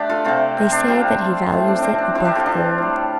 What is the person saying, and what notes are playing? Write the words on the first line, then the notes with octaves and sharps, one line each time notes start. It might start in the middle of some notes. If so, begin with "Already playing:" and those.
They say that he values it above gold.
Already playing: D3 A3 D4 G4 D5
F4 A4
C3 A3 C4 F4
C4
D4
C3 G3 C4 F4
A2 F3 A3 C4
D4
C4 D4
D4
A2 G3 C4 F4
D4 G4
F4 A4
D4 G4
A2 G3